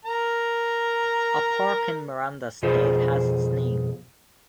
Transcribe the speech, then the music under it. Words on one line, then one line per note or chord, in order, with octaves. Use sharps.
A park in Miranda State has its name.
A#4 A#5
F2 B2 F4 G#4 C5